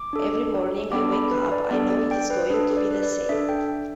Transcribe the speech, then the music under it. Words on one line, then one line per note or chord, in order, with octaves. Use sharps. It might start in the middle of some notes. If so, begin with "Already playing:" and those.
Every morning I wake up I know it is going to be the same.
Already playing: D6
D4 A4
B3 D4 A4 D6
B5
B4
D5
B3 D4 A4 D5
D5
G5
B4
D4 A4 B4
D5
B4
D5
D4 A4 E5
G5